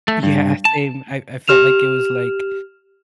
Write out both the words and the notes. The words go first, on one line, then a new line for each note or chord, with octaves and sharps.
Yeah, same. I I felt like it was, like,
A3
G2
A5
G4 F6 E7 F7